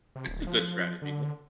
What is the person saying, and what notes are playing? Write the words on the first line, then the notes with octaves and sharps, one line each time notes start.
That's a good strategy, yeah.
C3
D1
F3
D3